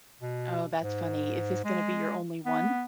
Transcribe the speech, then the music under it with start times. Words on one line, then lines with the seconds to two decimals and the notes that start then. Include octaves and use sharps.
Oh, that's funny. Is this gonna be your only one?
0.21 B2
0.82 G#2
1.64 G#3
2.46 B3